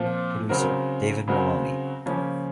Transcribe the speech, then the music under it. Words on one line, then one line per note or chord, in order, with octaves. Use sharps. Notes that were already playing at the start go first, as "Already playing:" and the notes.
Producer: David Maloney.
Already playing: A#2 F3 C4 F4
C#3 F#3 C4 F#4 A#4
C#3 F#3 C4 F#4 A#4
C#3 F3 A#3 C#4